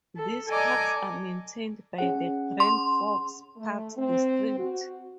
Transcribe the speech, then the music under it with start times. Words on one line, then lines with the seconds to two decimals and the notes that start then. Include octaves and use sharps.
These parks are maintained by the Grand Forks Park District.
0.17 A4
0.49 A4 D5 D#5 G#5 A#5 D6
1.98 C#4 G#4 F#5
2.60 C6
3.57 A3
3.97 C4
4.58 F#4